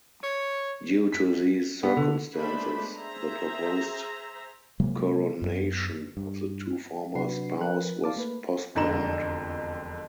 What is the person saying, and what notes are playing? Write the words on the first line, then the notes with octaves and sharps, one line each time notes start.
Due to these circumstances, the proposed coronation of the two former spouse was postponed.
C#5
B6
B3
D3
G#3 A3 B3 D4 C5 B5
G#4 C5 E5 A#5
C3 F#3 G#3 A#3
F#2 B3
G2
C3 F#3 D4 F#4 B4 C7
F3 A#4 B4 F#6
D5 F5 A5 D6
A3 A#3 B4
E1 F2 D3 D#4 A#5 E7